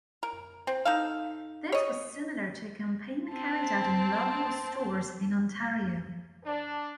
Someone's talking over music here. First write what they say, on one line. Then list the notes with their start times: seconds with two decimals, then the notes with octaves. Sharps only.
This was similar to a campaign carried out in Loblaws stores in Ontario.
0.23 A#4
0.67 C4
0.85 D#4 A4 F5
1.72 C#5 D#5
3.34 C4 C5 A5
6.46 D4